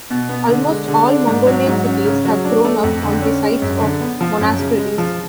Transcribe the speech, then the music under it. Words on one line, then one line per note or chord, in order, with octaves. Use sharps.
Almost all Mongolian cities have grown up on the sites of monasteries.
B2
B3
D3
G#3
D3
D4
G#2
F#3
G#2
C#4
C#3
F#3
D4
A3
F2
D3
C#4
G#3
F#2
D3
B3
F3
F#2
C#3
G#3
F3